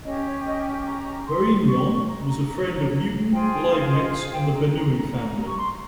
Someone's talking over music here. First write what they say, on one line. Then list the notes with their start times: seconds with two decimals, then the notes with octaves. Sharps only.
Varignon was a friend of Newton, Leibniz, and the Bernoulli family.
0.04 C#4 G4 C#5 D#5
0.25 C#5
0.46 D#5
0.86 A#5
1.27 C6
1.67 C#6
1.88 C#6
2.08 A#5
2.29 A#5
2.49 A#5
3.32 F4 G#4 C5 G5
3.51 G5
3.72 F5
3.93 D#5
4.13 F5
4.33 G5
4.53 A#5
4.74 A#5
4.95 A#5
5.46 C#6
5.56 C6
5.67 A#5